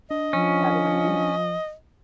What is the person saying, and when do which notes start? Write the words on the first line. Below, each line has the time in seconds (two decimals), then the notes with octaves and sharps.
had to release
0.11 D4 D#5
0.33 F3 C#4